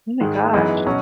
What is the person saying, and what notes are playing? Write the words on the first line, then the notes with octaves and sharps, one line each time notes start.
Oh my gosh.
G#2 D#3 G#3
F#2 E3 G#3 B3 D#4
B2 F#3 C#4